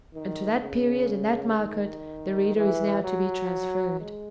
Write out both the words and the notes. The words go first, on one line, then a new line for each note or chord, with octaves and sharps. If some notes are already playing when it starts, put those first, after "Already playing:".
And to that period and that market the reader is now to be transferred.
D#3
C#3
D#3
E3
F#3
G#3